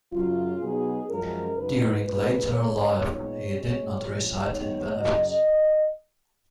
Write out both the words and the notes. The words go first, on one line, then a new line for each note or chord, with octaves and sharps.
During later life he did not reside in his benefice.
F#2 C#3 F#3 C#4 F4
B2 F#3 B3 D#4 G#4
F#2 F3 G#3 C#4 A#4
F#2 C#3 G#3 D#4 B4
A#2 G#3 C#4 B4
C#3 G#3 C#4 C#5
A#2 G#3 B3 D#4 C#5
B2 G#3 C#4 C#5
A#2 F3 G#3
D#2 D#3 G#3 B3 D#4 C#5
F#2 C#3 F#3 D#5